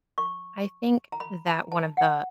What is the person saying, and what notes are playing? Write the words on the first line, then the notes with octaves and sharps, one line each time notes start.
I think that one of the
C#6
A#5
B5
A#5
A5
F#5